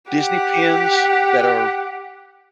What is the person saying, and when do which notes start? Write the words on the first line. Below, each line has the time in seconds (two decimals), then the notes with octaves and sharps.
Disney pins that are,
0.12 G4 F#5